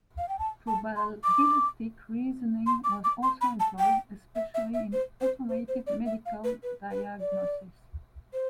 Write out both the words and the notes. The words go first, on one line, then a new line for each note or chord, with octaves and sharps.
Probabilistic reasoning was also employed, especially in automated medical diagnosis.
F5
G5
A5
A5
C6
D6
C6
D6
D6
C6
B5
A5
G5
E5
E5
E5
C5
C5
C5
C5
D5
E5
F5
B4
B4
B4
D5
C5